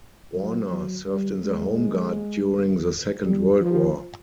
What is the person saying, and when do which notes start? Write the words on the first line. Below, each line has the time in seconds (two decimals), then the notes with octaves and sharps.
Warner served in the Home Guard during the Second World War.
0.35 F#3
0.71 F#3
1.07 G3
1.44 G#3
3.25 G3
3.61 F3